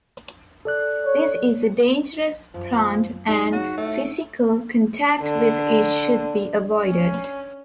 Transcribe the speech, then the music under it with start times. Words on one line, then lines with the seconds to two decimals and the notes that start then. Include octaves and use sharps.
This is a dangerous plant and physical contact with it should be avoided.
0.65 A4 D5 F#6
1.06 C#5
2.54 F#2 F3
3.28 G3 D#4
3.52 C#3 F#4
3.77 A2 A3
5.21 D3
6.82 C#4